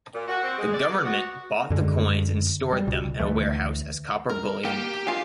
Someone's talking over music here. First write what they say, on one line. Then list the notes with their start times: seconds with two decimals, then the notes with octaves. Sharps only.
The government bought the coins and stored them in a warehouse as copper bullion.
0.15 A#2
0.28 F#4
0.43 C4
0.57 G#3
0.73 D5
0.90 B3
1.05 F#4
1.70 F#2 D3 G#3
2.73 G3
2.87 C#2 B2
3.19 D2 E3 A3
4.29 A#4
4.65 A#3 G4 G5
5.07 F4 F5 G#5